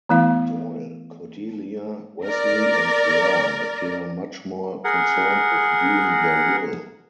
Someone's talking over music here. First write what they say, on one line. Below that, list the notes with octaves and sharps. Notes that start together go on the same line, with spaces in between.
Doyle, Cordelia, Wesley and Lorne appear much more concerned with doing their will.
E3 A3 B3 E4 F5
A#4 D5
G#4 A#4 F#5